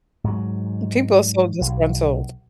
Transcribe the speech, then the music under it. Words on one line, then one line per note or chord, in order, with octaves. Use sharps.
People are so disgruntled.
G#2 F#3
B1